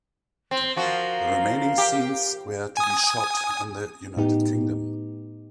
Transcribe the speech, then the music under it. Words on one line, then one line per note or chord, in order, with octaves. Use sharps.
The remaining scenes were to be shot in the United Kingdom.
C4
F3 F#4 A#4 F5
G4
G#5 D#6
A2 B3 D#4 G4